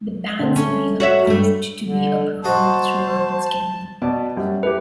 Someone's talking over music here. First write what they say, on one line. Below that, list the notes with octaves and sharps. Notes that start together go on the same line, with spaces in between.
The band's lineup proved to be a problem throughout its career.
D3 C4
A3 C#4
F#4 C#5 E5
G2 A3
D3
F#4 C5 D#5 A5
B2 D5 A5
F#2 G3
A3 E4 G4 B4